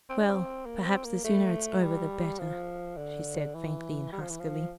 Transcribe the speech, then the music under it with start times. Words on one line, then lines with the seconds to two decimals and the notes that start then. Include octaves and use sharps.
"Well, perhaps the sooner it's over the better," she said faintly and huskily.
0.10 C4
0.19 D4
0.30 C4
0.66 A#3
0.86 C4
1.05 A#3
1.25 A3
1.82 G3
2.39 F3
2.97 D3
3.55 E3
4.13 G3
4.21 F3
4.30 E3
4.40 F3